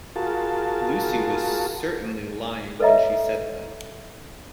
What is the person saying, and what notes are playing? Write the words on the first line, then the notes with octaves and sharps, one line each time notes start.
Lucy was certainly lying when she said that.
F4 F#4 G#4 A#4 A5
A4 B4 C#5 D#5 E5 A#5